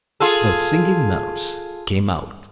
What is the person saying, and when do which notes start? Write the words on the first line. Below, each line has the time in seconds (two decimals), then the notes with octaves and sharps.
The Singing Mouse came out.
0.20 F4 G#4 A4